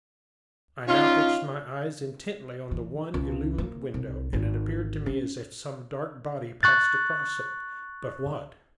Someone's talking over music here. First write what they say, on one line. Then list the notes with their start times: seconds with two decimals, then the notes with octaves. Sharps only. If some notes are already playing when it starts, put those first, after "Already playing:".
I now fixed my eyes intently on the one illumined window, and it appeared to me as if some dark body passed across it: but what?
0.88 C#4 D#4 F4
2.71 E3
3.14 C#2
3.58 A#3
3.94 C2
4.33 G#1
5.06 C#4
6.63 C#6 F#6 A6